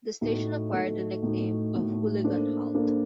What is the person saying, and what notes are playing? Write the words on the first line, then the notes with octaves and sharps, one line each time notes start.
The station acquired the nickname of "Hooligan Halt".
A2 A3 D#4 F#4
A2 A3 D#4 F#4
A2 A3 D#4 F#4
A2 A3 D#4 F#4
A#3 D4 A4 C5
A#3 D4 A4 C5